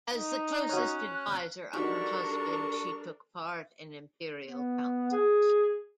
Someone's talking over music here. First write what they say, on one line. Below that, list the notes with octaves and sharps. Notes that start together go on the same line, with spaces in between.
As the closest adviser of her husband, she took part in Imperial councils.
D#4
C#4 F#4 C#5 F#6
G3 D4 D#4 F#4 A4 A#4 C#6
B3
G#4